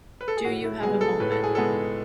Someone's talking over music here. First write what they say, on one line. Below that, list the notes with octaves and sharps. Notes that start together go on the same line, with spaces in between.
Do you have a moment?
B4
A4
G#4
A2 F#4
E4
G#3 B3 G#4
A4
A2 B4
A4
G#4
G#3 B3 A4